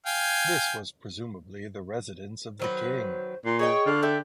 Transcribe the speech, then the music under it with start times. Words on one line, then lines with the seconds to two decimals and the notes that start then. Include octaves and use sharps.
This was presumably the residence of the king.
0.06 F5 G5 G#5
2.60 D#3 F#3 B4 C5
3.46 A#2 C6
3.59 G#4 C#5 D#5 G5 C#6
3.86 D3 F4
4.03 A4 E5 G5